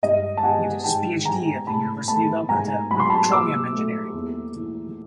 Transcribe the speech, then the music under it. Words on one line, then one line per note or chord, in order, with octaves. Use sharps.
He did his PhD at the University of Alberta on Petroleum Engineering.
G2 D#5
A5
G3 F#5 G#5
G#2 G5 A5
G#3 G#5 A#5
A2 A5 B5
A3 A5 B5
G#2 G#5 A#5
F#3 B5
C6
A5 B5
A#2 D6 E6
A3
E2
E3